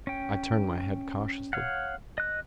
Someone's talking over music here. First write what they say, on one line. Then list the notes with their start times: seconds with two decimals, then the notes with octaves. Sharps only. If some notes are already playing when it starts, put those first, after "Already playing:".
I turned my head cautiously.
0.07 C#4 G5
1.53 C#5 F5 F#5
2.18 D#5 F#6